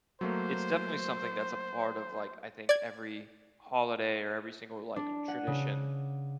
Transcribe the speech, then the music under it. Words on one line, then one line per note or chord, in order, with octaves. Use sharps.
It's definitely something that's a part of, like, I think, every holiday or every single, like, tradition
F#3 A3 A#3 C5
D5 G#6
D4
F#5
C#3